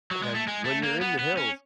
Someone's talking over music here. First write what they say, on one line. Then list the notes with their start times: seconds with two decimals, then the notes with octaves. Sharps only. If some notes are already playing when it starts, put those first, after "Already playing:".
and when you're in the hills,
0.11 F#3
0.23 G#3
0.35 A3
0.47 G#3
0.65 A3
0.83 A#3
1.01 B3
1.19 B3
1.37 C#4